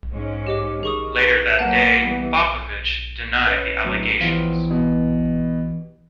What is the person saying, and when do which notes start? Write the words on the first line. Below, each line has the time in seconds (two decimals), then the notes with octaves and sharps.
Later that day Popovych denied the allegations.
0.14 G#2 C#4
0.47 G4 D#5 D6
0.83 D#3 G#4 C#6 D#6
1.19 B4
1.59 F#3 A#3 F#5 A5
1.99 E3 G3 B3
3.46 C#4 B4
3.84 A2 F#3
4.20 E3 F3 B3 G4 F5 D7
4.71 B2